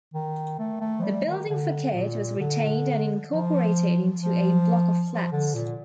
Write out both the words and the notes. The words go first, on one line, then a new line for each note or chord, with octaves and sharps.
The building facade was retained and incorporated into a block of flats.
D#3
A3
A3
F3
G3
D#3
D3
A#2
D3
F3
F3
F3
D3
A#2